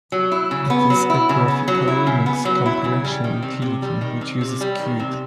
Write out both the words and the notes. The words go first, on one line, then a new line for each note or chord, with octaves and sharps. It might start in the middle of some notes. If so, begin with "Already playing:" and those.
It is a graphical Linux compilation utility, which uses Qt.
F#3
E4
C#3
B3
F#3
E4
C#3
B3
F#3
E4
C#3
B3
F#3
E4
C#3
G3
D#3
C3
C3
G3
D#3
C3
C3
G3
D#3
C3